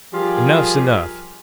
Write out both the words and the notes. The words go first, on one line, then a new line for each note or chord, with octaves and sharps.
Enough's enough.
F3 G3 F4 G4 G#4 A#4